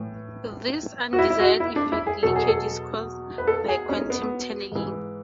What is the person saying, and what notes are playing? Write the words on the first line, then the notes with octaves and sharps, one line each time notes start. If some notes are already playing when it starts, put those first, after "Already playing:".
This undesired effect, "leakage", is caused by quantum tunneling.
Already playing: A2 E3
F#4
E4
E4
F#4
E4
D4
E4
G#4
E2 B2 F#3 A4
G#4
A4
B4
A4
G#4
C#4
B3
G#2 E3